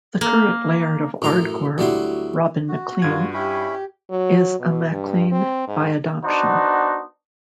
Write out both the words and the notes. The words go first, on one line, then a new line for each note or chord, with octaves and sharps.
The current Laird of Ardgour, Robin Maclean, is a MacLean by adoption.
A#3
F#2 A2 A#5 C6 D6
D2 F#3 G3 E4 F#4 C6
F#4
G2 F4 G#6
C#4 E4 G4 B5
F#3
B2
G2
C4
G#2
B3 D4 D#4 F#4 C5